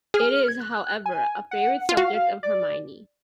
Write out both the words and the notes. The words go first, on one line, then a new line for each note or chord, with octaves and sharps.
It is, however, a favourite subject of Hermione.
G#4 F6
G#6
F#6
G#5
F#5
F4
F#4 F5
D5